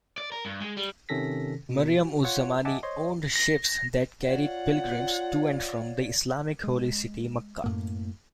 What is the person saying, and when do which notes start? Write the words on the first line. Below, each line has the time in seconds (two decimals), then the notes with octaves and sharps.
Mariam-uz-Zamani owned ships that carried pilgrims to and from the Islamic holy city Mecca.
0.18 D5
0.32 A#4
0.45 G2
0.60 G#3
0.77 G3
1.09 C3 D#3 C#4 A4 A#6 B6
1.69 B2
1.96 F#4
2.24 F4 C#5 F#5
2.65 D#5 E5 F#5 G#5 A5 D6
2.83 C5 C#5 D#5 C6
3.35 A#6
4.24 F4 C#5 D5 F5 F#5
6.64 G#3
7.64 F#2 A2 A#3